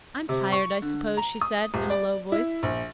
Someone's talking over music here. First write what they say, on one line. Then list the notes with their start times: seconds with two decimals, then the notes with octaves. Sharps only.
"I'm tired, I suppose," she said, in a low voice.
0.29 C3
0.52 C#6
0.82 D3
1.17 A#5
1.41 D#6
1.74 D#1
1.90 D5
2.32 E4
2.63 A#1